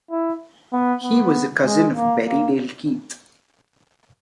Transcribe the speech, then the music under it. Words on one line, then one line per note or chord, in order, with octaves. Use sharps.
He was a cousin of Berriedale Keith.
E4
B3
B3
G#3
A#3
A#3